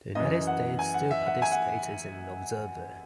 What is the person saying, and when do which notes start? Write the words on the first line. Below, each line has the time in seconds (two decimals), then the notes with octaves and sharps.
The United States still participates as an observer.
0.15 F#2 E3 D#5
0.47 F#5
0.79 G#5
0.94 F#5
1.11 E5
1.27 F#5
1.42 G#5
1.52 F#5